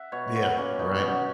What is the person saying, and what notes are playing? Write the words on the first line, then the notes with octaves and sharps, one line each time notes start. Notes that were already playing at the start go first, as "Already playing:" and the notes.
Yeah. Right.
Already playing: E5 F#5
B2 C#5
F#3 F#4
A#3 C#4
B2 D#4
B2 C#4